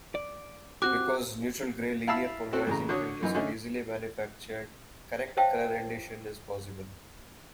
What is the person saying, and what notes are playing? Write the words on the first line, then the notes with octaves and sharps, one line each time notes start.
Because neutral-gray linear-polarizing filters are easily manufactured, correct color rendition is possible.
D5
C4 F#4 G4 D6 F#6
E4 F5 A5 B5 E6
C4 F#4 A4
A1 C#3 A#5
D3 F#4 C#5 D#6
F#2 E3 D#4
D3 A3 C#4 D#4
C5 C#5 E5 F5 G5 A5